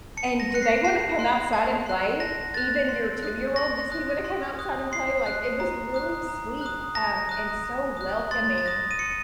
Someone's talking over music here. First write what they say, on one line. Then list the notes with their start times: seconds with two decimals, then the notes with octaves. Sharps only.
And do they wanna come outside and play? Even your two-year-old, does he wanna come outside and play?" Like, it was really sweet, um, and so welcoming
0.17 A5 C#7
0.40 A#6
0.51 C6 F#6 C#7
0.62 C7
0.85 A5 C7
1.19 C6 F#6
1.53 A5
1.86 C6 F#6
2.20 A5 A#6
2.54 C6 F#6 A6
2.89 C6
3.23 D#6 F#6
3.56 C6 A#6
3.90 D#6 F#6
4.24 C6
4.59 D#6 F#6
4.92 C6 C7
5.26 D#6 F#6
5.60 A#5
5.94 D#6 F#6
6.28 A#5
6.61 D#6 F#6
6.95 A#5 A#6
7.29 D#6 F#6
7.64 A#5
7.97 D#6 F#6
8.31 C6 A6
8.58 A6
8.65 D#6 F#6 A#6
8.91 D#7
8.99 C6 C#7